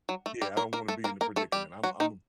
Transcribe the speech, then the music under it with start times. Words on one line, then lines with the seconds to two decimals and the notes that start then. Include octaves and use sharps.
Yeah, I don't wanna be in the predicament. I'm I'm a
0.09 F#3
0.26 A3
0.42 G3 G4
0.57 A#3 A#4
0.73 A#3 A#4
0.88 A3 A4
1.04 A#3 A#4
1.21 A#3 A#4
1.36 A3 A4
1.52 G3 G4
1.84 F#3 F#4
2.00 D#3 D#4